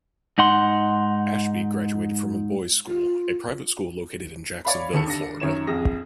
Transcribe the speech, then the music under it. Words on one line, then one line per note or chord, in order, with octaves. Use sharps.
Ashby graduated from The Bolles School, a private school located in Jacksonville, Florida.
G#2 D#4 F#5 C6
F4
C#5 D5 F5 B5
D#2 D#3 A4 C#7
D4 A#6
F#2 D#3 C#5 E7
A#1 F2 G#4 A#6